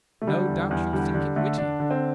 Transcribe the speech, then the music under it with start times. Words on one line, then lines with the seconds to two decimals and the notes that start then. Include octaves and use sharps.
No doubt you think it witty!
0.22 A3
0.27 D3 G3
0.49 E2
0.71 E2
0.93 D3 G3
1.14 D3 G3
1.36 D3 A3
1.58 D3 D4
1.80 D3
1.91 C4